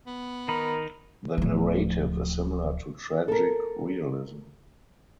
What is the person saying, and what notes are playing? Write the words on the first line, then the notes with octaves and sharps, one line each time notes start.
The narrative is similar to tragic realism.
B3
D#3 D#4 A#4 B5
D1 F3
A4 A#4